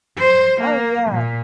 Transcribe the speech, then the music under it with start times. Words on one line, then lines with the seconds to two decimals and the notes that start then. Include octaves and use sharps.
Oh, yeah.
0.18 C5
0.60 A#3
1.10 A#2